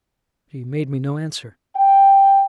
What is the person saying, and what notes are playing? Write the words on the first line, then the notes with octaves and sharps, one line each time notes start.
She made me no answer.
G5